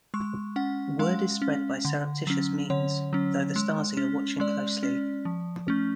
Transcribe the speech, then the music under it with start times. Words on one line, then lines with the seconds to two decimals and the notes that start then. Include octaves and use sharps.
Word is spread by surreptitious means, though the Stasi are watching closely.
0.14 G#3 C#6
0.56 C#4 F#5
0.99 G#3 F5
1.42 C#4
1.85 D3
2.27 F#3 C#4
2.70 D3 C#5
3.13 F#3 C#4
3.56 G#3
3.97 C#4
4.40 G#3 D5
4.83 C#4
5.25 F3
5.68 A3 C#4